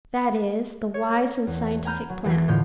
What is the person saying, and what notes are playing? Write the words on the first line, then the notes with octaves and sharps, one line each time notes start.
That is the wise and scientific plan.
C#5
E2
G#5 A#5 B5 F6 G6
F#3
E2 E3 A3
A2 D3 F4 G6